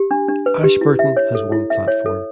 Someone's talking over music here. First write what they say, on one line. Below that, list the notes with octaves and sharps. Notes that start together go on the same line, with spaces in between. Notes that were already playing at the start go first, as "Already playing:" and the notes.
Ashburton has one platform.
Already playing: G4
D4
D4
B4
G4
E4
E5
C#5
A4
E4
E5
C#5
A4